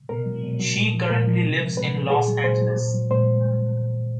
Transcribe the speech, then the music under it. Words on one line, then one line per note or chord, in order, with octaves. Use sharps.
She currently lives in Los Angeles.
B2 A#4
F#3
B2
F#3
A#2
F3
A#2 A#4
F3
C3
F3
C3 B4
F3
A#2 G#4
F#3
A#2 C5
F#3
A#2
F#3
A#2 C5